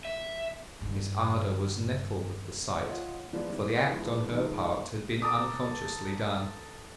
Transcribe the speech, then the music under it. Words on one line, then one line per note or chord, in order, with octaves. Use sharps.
His ardour was nettled at the sight, for the act on her part had been unconsciously done.
E5
G2 D#3
F4 C#5 D#5 F#5
E3 F3 G#3 B3 D5
D#3 G3 B3 E4
F3 G#3 B3 D4 E4
D#3 F3 G#3 D#4
A4 A#5 D6 D#6